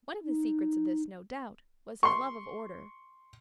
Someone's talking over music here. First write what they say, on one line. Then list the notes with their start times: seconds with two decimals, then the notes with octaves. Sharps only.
One of the secrets of this, no doubt, was his love of order.
0.25 D#4
2.03 C6 C#6